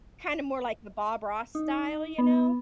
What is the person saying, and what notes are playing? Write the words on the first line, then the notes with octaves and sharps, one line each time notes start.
Kinda more like the Bob Ross style, you know?
D#4
B3